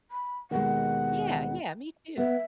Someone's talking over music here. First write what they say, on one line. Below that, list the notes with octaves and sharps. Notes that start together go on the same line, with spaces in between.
Yeah, yeah. Me too.
B5
D#2 B2 G#3 F#5
B3 E5